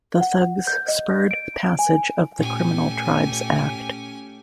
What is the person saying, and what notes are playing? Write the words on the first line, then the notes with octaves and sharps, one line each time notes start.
The Thugs spurred passage of the Criminal Tribes Act.
F#5
G6
D#5
D7
G#5
A#2 A3 C#4 G4 G#5